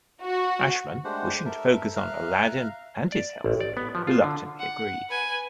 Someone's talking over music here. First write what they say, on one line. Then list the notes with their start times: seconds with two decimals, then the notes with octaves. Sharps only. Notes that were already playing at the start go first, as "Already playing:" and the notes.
Ashman, wishing to focus on "Aladdin" and his health, reluctantly agreed.
0.22 F#4
1.04 G#3 A3 D4 G4 C5 F#5
1.45 A4 A#4 E5
1.96 E5 F5 A#5 F6 F#6
3.12 D5
3.44 A1
3.60 D5
3.77 B3
3.95 F3
4.07 F4
4.24 D3
4.59 F#5
5.09 B4 G#5